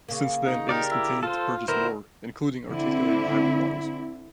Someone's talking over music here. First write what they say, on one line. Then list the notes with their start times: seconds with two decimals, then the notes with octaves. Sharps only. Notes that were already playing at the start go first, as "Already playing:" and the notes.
Since then it has continued to purchase more, including articulated hybrid models.
0.09 C#3 A#3
0.46 D#4
0.69 D#4 G4 A#4 D5
0.91 E4
1.23 F4 A4 C5
1.68 D3 F#3 B3 E4 A#4 C5
2.67 D3 C4 E4